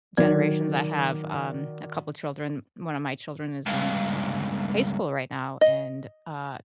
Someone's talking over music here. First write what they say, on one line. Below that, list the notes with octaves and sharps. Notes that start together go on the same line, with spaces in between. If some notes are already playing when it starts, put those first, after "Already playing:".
generations, I have, um, a couple children. One of my children is in, uh, high school right now, and, uh,
D#3 F#3 D5 G#6
C#2 G2
D#5